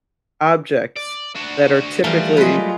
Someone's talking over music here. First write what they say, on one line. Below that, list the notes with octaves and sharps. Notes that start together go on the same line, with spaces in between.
objects that are typically
D5
D4 F#4
E3 F3 G3 A3 A#4 F5
F#3 G#3 F4 B4 D#5